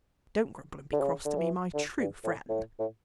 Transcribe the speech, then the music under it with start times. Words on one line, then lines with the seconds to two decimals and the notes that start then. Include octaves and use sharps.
Don't grumble and be cross to me, my true friend.
0.93 D3
1.01 C#3
1.25 D3
1.38 E3
1.74 D3
1.99 G2
2.24 A2
2.49 A2
2.79 A2